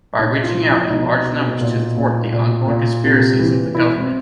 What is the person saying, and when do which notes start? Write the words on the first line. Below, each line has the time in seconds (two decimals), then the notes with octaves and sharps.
By reaching out in large numbers to thwart the ongoing conspiracies of the government.
0.19 A#2 D#4
0.43 F4
0.55 F3
0.66 E4
0.90 B2 D#4
1.25 B2
1.61 A#2
1.97 A#2
2.33 A#2
2.68 A#2
3.04 C3
3.39 E3
3.74 B2 E4
3.98 C4